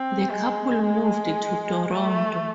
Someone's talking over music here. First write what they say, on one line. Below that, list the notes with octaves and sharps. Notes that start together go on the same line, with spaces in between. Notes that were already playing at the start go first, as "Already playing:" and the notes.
The couple moved to Toronto.
Already playing: C4
G#3
A3